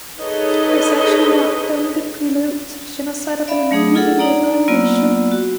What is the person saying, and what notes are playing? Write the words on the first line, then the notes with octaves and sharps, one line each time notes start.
His action marked only the prelude to the genocide of an immediately neighboring nation.
D#4 G#4 A4 B4 C#5 D#5
D5 E5 F5 B5
F#3 A3 D4 G#4 D#6
E4 F4 G#4 A4 F#5
D4 D#4 D5 A#5
F#3 A#3 B3 F4 D5 E6
F#4